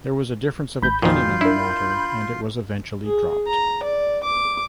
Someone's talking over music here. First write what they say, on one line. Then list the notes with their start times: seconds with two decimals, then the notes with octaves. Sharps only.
There was a difference of opinion on the matter and it was eventually dropped.
0.82 A1 B5 G6
1.02 F2 A#2 D#3 F3 F4 F#4 C6
1.41 D4 E4 A#4
3.05 G#4
3.47 A#5
3.83 D5
4.24 D6